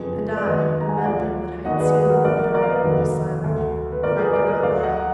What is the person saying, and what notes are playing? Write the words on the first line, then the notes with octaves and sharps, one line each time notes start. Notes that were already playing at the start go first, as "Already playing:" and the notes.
And I, remembering what I had seen in the blue parlour, was silent--for I could not lie.
Already playing: F#1 F2 F3 G#4 B4
D5
D#2 D#3 F#3 B4 D#5
A#5
G#5
F#5
D2 D3 F3 D5 F5
D#2 D#3 F#3 D#5 F#5
D5
G#4 B4
G#4 B4
F#4 A#4
A#1 A#2 F#3 A#4 D5
A#4 D5
A#4 D5
F5
B4 D#5
F1 D#2 D3 F#3
D2 D3 F#3
B4
D2 D3 F3 A#4 D5
G#4 B4
A#4 D5
B4 D#5
D2 D3 F#3 D5 F5
D#5 F#5
A#5